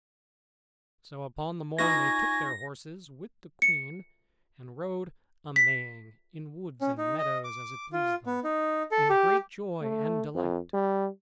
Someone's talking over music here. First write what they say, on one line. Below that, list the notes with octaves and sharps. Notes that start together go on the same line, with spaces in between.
So upon the morn they took their horses with the queen, and rode a-maying in woods and meadows, as it pleased them, in great joy and delight.
D#4 F4 B4 G#5 C#6 A#6
C#7
B6
C#4
D#4
D#5
D6
F4
B3
D#4
A4
G4
A3
F2
G3